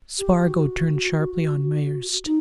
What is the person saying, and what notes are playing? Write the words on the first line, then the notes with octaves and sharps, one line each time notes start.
Spargo turned sharply on Myerst.
G4
F#4
D#4